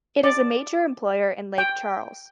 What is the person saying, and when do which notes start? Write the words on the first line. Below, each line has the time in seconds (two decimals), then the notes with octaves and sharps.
It is a major employer in Lake Charles.
0.23 D5
1.58 G5